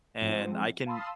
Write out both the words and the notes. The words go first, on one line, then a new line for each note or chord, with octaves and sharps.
And I can
G#2 F3 C4
F5 A5 B5 C6 D#6 E6